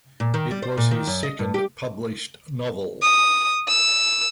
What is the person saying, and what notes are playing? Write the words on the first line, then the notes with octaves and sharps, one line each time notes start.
It was his second published novel.
A#2
D#3
G3
C5
A#2
D#3
F#2
D#5
G2
G4
D#6
E6